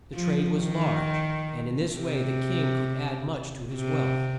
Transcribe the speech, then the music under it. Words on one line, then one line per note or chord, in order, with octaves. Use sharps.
The trade was large, and in this way the king could add much to his wealth.
F3
D#3
C3
C3